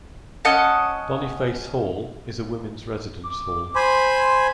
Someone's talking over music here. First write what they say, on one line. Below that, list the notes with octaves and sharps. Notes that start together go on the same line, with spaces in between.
Boniface Hall is a women's residence hall.
C#4 D#5 F#5 A5
D6
C5 G#5 B5 C6